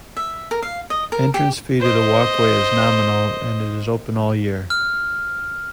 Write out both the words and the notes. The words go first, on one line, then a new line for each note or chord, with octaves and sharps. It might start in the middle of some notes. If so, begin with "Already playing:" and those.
Entrance fee to the walkway is nominal and it is open all year.
E5
A#4
F5
D#5
A#4
G4
C5 D#5
F6